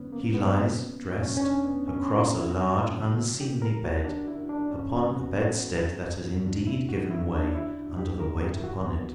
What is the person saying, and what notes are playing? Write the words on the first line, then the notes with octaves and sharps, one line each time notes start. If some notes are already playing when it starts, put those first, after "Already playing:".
He lies, dressed, across a large unseemly bed, upon a bedstead that has indeed given way under the weight upon it.
Already playing: F#2 D3 B3 C#4
A#3
B3
E2 B2 C#4
C#4
D4
B3
C#4
E4
F#4
E4
F#4
F#2 C#3 E3
G4
A#4
F#4
D4
E4
D4
G2 E3 C#4
B3
F#4
F#4
E2 D3 D4
E4
F#4
E4
D4
E4
G4
G2 D3 A#4
G4
E4
F#4
B3